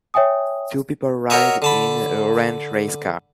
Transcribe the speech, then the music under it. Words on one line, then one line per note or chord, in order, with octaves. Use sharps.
Two people ride in a orange race car.
C#5 E5 G5 G#5 D#6
F#4 A#4 C#5 D#5 E5
D3 A5 B5